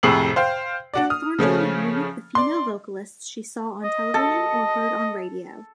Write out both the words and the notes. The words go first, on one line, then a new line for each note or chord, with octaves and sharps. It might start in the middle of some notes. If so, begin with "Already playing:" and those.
Thornton would mimic the female vocalists she saw on television or heard on radio.
F2 A2 C3 G#4 C7 F#7
C5 F5 G5
D4 F#4 D5
D#6 F6
C#3 F3 A3 C#4
D5 C6
D#5
A4